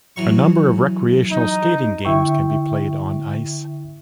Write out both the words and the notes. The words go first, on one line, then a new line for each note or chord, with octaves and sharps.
A number of recreational skating games can be played on ice.
E3 F#3 C#6
D#4
D3 E4 E5 G5 C#6